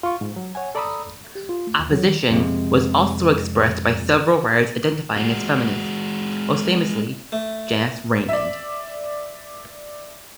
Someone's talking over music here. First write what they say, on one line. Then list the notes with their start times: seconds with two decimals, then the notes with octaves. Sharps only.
Opposition was also expressed by several writers identifying as feminist, most famously Janice Raymond.
0.03 F4 C#6
0.21 G#2
0.36 F#3
0.55 C#5 F#5 G#5
0.75 A4 D5 A#5 B5 D#6 E6
1.35 G4
1.49 F4
1.67 A3
1.79 D#2
1.91 F#3
2.06 D#3
2.31 F2 C3 G#3
5.17 G#3 F#4
7.32 A3
8.29 D5 E5